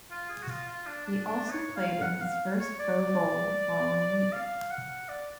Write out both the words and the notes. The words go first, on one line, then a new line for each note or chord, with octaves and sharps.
He also played in his first Pro Bowl the following week.
F4
G#4
F#4
F4
F4
D4
D4
D4
C#5
F5
F#5
F5
C#5
D5
F5
F#5
D5